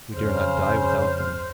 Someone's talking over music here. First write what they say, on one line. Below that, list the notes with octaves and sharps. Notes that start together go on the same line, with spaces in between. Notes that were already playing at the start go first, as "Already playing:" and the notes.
We dare not die without them.
F2 C#3 C5 F6